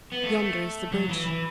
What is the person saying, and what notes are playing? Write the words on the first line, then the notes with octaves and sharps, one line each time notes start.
"Yonder is the bridge."
B3
A3
F#3
E3
E3